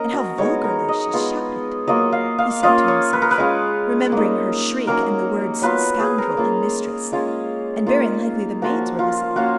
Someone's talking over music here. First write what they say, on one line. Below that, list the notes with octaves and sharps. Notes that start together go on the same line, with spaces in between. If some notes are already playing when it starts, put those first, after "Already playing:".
And how vulgarly she shouted," he said to himself, remembering her shriek and the words--"scoundrel" and "mistress." "And very likely the maids were listening!
Already playing: A#3 C#4 A#4 C#5 D#5
F#4
G#3 B3 D#4 C#5
A#4
D#5
G#3 B3 F4
F#3 A#3 F4 D#5
F5
F5
A#3 C#4 F4 D#5
C#5
B4
A#4
B4
G#3 C#4 F4
A#3 D#4
F#3 A#3 C#4 A#4
F#3 B3 F4 B4
G#4
A#4
A#3 C#4 F4
G#3 C#4 F4
A#3 D#4 F4
F3 A#3 F4 F#4
F4
A#3 C#4 F4 F#4